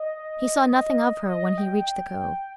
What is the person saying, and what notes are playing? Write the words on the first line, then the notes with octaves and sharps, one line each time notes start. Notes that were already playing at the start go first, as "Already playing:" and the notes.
He saw nothing of her when he reached the Cove.
Already playing: D#5
D#5
G5